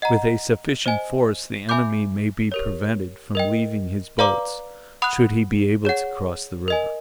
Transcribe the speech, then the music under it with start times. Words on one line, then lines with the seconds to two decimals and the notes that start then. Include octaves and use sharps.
With a sufficient force, the enemy may be prevented from leaving his boats, should he be able to cross the river.
0.02 D#5 F#5 A#5
0.86 C5 D#5 G#5
1.69 E5 G#5 B5 D6 G6
2.52 G4 A#4 C#5
3.35 A#4 D#5 G5
4.19 B4 D5 F5 A#5 D6
5.02 F#5 B5 D#6 F#6
5.85 G#4 C#5 F#5
6.68 A#4 D#5 G#5